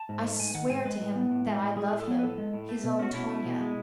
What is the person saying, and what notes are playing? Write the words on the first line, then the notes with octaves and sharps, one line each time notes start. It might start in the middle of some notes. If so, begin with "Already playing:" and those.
I swear to him that I love him, his own Tonia.
Already playing: A5
G#2
A3
G#2 G#5
D#3 F#5
G#2 G#5
G#3 B4
A2
B3
A2
G#3
A2
G#3 G#4
A2 G#4
A4
B3 C#5
B4
A2 A4
G#3
A2
A3
B2
C#4 F#4
B2 E4
A3
B2
G#3